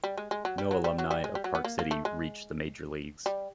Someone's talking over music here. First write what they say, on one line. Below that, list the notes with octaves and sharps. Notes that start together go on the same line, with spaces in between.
No alumni of Park City reached the major leagues.
G3
G#3
G#3
F#3
G3
F#3
G3
F#3
G3
G#3
G3
F#3
B3
A#3
A#3
A3
G#3
G3